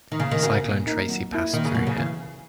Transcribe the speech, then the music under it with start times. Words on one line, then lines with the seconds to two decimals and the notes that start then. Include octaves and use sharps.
Cyclone Tracy passed through here.
0.12 D#3
0.20 C#3 A#3
0.31 D#3
0.42 C#3 C#4 F#4 A#4
0.64 A#2
0.86 A#3 D#4 A#4
1.09 F#3
1.31 A#3 E4
1.53 A#2 D#3
1.65 C#3
1.75 B2 F#3 A#3
1.87 C#3
1.97 C#3 E3